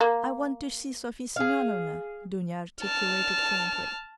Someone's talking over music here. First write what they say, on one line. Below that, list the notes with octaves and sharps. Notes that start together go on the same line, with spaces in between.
"I want to see Sofya Semyonovna," Dounia articulated faintly.
A#3
G#4 F5
A5 F6